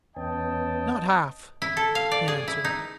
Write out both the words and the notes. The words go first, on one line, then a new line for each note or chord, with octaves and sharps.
"Not half!" he answered.
E2 B3 C#4 D#5 G5 A5
E4
A4
F5
D5
G#4
E4
D#4